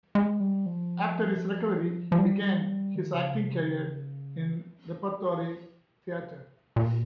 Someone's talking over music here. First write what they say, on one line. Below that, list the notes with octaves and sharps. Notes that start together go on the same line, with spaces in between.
After his recovery he began his acting career in repertory theatre.
G#3
G3
F3
F3
G3
D#3
C#3
C3
C#3
A#2